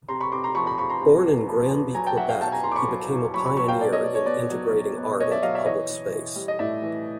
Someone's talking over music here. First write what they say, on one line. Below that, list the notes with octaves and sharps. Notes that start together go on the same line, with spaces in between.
Born in Granby, Quebec, he became a pioneer in integrating art into public space.
C3 A#5 C6
B5 C#6
C3 C6 D6
A#5 C6
F3 B5 C#6
B5 C#6
F3 B5 C#6
A#5 C6
C3
E2
F3
E2
F#3 G#5 A#5
G5 A5
F#3 E5 F#5
F5 G5
B2 G5 A5
G#5 A#5
E2 A#5 C6
D6
B5 C#6
F#3
E2
F#3 B5 C#6
B5 C#6
F#3 B5 C#6
F5 G5
B2 D5
C#5 D#5
B2 D5
C#5
B3 D5
F#3
F#3
B3
B2 C#5 D#5
D5 E5
F#3 D#5 F5
D5 E5
E3 C#5 D#5
E3
E3
G3
D#5
A2 D5 E5
E3